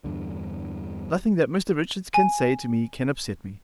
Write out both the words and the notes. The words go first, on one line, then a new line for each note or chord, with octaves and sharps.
Nothing that Mr Richards can say to me can upset me.'
E2 G2 D3
G#5